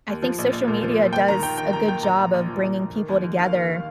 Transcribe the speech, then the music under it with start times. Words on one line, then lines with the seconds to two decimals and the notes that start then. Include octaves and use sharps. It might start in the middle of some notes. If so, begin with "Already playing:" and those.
I think social media does a good job of bringing people together
0.08 D#2
0.22 F3
0.38 A#1
0.53 A#1
0.68 A#2
0.83 F3
0.98 A#2
1.13 D#2 G5
1.28 D#3 A#5
1.43 D#3 G5
1.58 D#3 G5
1.73 D#2 A#5
1.88 D#3 G5
2.03 A#1 A#5
2.19 A#1
2.34 A#1
2.49 F3
2.63 A#1
2.79 A#1
2.94 D#3
3.09 D#2
3.23 D#2
3.39 D#3 F5
3.54 D#2
3.69 D#3